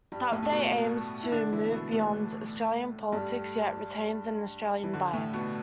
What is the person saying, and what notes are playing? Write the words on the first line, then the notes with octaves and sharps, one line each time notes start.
The update aims to move beyond Australian politics, yet retains an Australian bias.
G2 G3
A2 A3
A3
B2 B3
E4
D3 D4
E3 E4
A3
B2 B3
A2 A3
G2 G3
E3
D3
A2 A3
B2 B3